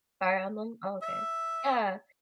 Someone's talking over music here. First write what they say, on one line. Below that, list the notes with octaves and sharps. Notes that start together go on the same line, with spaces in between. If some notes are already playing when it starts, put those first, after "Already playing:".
Fire Emblem, oh okay. Yeah,
E5